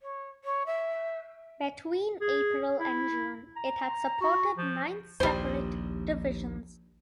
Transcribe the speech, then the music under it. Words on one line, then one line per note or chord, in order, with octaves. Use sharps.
Between April and June it had supported nine separate divisions.
C#5
C#5
E5
G#4
E4
A#5
F#4
F3
A#1 D#2 G3 C5